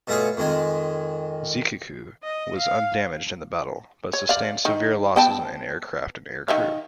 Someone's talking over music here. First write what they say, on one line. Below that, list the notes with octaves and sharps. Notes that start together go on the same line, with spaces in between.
"Zuikaku" was undamaged in the battle, but sustained severe losses in aircraft and aircrew.
B2 A3 F4 G#4 C#5
F2 D#3 G#3 G#5
D#5
F5
C#5
D5 F5
D#3
B3 G5 A5
D#3 E5 F5